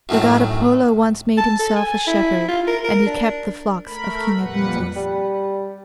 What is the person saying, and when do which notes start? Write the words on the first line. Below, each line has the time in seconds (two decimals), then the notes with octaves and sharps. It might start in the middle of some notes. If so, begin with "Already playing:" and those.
The God Apollo once made himself a shepherd and he kept the flocks of King Admetus.
0.09 F#2 A2 D#3 F#3
1.37 A5
1.59 A4
1.76 G#5
2.07 E4
2.49 F4
2.67 A#4
2.84 A#4
3.06 D4
3.86 A3 A#4 B5
4.39 F2 A#2 G3 B4 F#5
4.96 G3